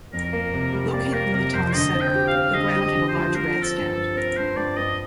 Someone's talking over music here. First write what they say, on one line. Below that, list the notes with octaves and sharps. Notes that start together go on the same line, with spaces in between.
Located in the town centre, the ground had a large grandstand.
F2 A#4
A#3
C3
G3
A#3 D5
A#3 A#4
C3 A#4
F2 C5
D3 D#5
C4
G5
G4
F5
C4
D3 D#5
G4
D#5
D3
C5
F3
F3 A#4
C4
A4
G2
A4
G2
C4 A#4
G2 C5
G2 D5
G2 D#5